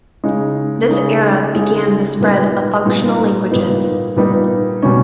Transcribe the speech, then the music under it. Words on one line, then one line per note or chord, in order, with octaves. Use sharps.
This era began the spread of functional languages.
C#3 G#3 D#4 G#4
C#3 G#3 D#4 G#4
C#3 G#3 D#4 G#4
A#2 G3 B3 D#4
A#2 G3 B3 D#4
A#2 G3 B3 D#4
A#2 G3 B3 D#4
B2 G3 C#4